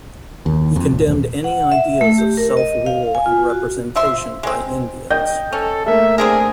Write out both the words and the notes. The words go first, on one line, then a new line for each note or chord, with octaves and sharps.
He condemned any ideas of self-rule and representation by Indians.
D#2
F2
D1
D#1
F#5
E5
A3
G4
A#4
D#5
F5
G#5
F4
F#4
F3 E5 C6
G#3 C4
D#5 G5 G6
C#4 A4
A3 A#3 E5
C4 D4 G#4 A#4